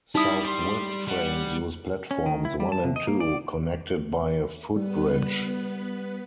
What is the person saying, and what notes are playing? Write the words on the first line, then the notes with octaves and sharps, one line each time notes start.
South West Trains use platforms one and two, connected by a footbridge.
G3 D#4 E4 D#6
C6
G3 F#5
C#4
D#3
E4
G3
A5
C3
D#5
A#3
D5
G3 B3 B4